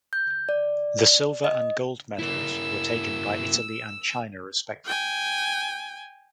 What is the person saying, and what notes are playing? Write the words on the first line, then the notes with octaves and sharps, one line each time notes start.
The silver and gold medals were taken by Italy and China respectively.
G6
D5
D#5
A#3 E4 E6
G5 G#5